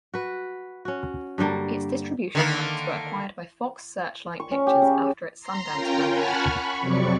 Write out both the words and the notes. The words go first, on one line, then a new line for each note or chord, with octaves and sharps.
Its distribution rights were acquired by Fox Searchlight Pictures after its Sundance premiere.
F#4 B4
C#4 F#4
G2 D3 G3 A#3
D3 D#3 A#3
C#6
C#4
G4
C#3
A#5 C6
C#4 F4 A#4 G5
F#5 G#5 A5 B5 C#6 F6
B5 C#6
F2 C3 F#3 D5 C#6